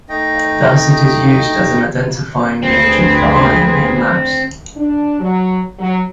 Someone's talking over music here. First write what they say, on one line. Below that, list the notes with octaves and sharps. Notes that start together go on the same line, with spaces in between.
Thus it is used as an identifying reagent for iron in labs.
A3 D#4 D#5 G5
D2 C4 G#4 B4
D4
F#3
F#3